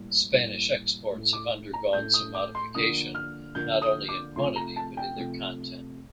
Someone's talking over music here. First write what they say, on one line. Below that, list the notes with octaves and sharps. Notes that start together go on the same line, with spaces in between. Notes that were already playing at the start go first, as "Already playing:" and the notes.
Spanish exports have undergone some modification not only in quantity but in their content.
Already playing: A2 G3 A#3
A2 G3 A#3
A2 A3
D6
A#5
A2 A3 G6
D#6
D6
C6
D3 F3 A#3 D#6
F6
D3 F3 A#3 G6
D#6
D6
C3 F3 A3 C6
A#5
A5
G5
C3 F3 A3